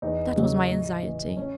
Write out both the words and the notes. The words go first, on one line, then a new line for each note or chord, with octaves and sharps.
That was my anxiety.'
E2 D#4
C#3 F#3
A2
E3
C#4